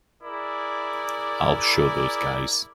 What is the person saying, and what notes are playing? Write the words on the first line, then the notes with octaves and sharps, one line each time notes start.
I'll show those guys.
E4 G#4 A#4 D5